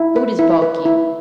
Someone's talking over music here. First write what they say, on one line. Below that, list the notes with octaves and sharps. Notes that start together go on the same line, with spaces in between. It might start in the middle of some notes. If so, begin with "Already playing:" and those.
Food is bulky.
Already playing: E4
B4
E4
B4
E4